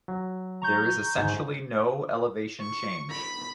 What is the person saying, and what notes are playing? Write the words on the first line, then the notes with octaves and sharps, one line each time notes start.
There is essentially no elevation change.
F#3
A#5 C#6 G6
G#2
C#6
B5